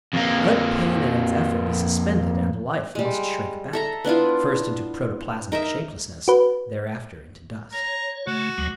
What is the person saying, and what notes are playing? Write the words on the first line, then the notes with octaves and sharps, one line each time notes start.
Let pain and its effort be suspended, and life must shrink back, first into protoplasmic shapelessness, thereafter into dust.
F2 A#3
G3 G#3
A4 E5 A#5
B3 D4 E4 F4
D#4 A#4 D#5 E5
F#4 B4
C#5 A#5
C#3 A3 F#4
D2 F#3 G#3